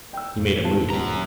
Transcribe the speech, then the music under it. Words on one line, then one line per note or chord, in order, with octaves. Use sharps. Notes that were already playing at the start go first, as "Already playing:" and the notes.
He made a move.
G5 E6
F2 A#2
D#1 G#3 B3 E4 F4 A5
F#2 F#3 A#5